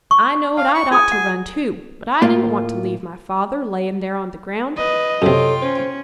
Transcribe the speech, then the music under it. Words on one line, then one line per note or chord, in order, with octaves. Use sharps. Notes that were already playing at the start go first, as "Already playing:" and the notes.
I knowed I'd ought to run too, but I didn't want to leave my father layin' there on the ground.
C#6
F5 A5
C#6
F4 G#4 G#5 D#6
F#5
A2 A#3 F4
B4 D#5
F#2 C3 F4 A4 C#5 G5
C#4 C5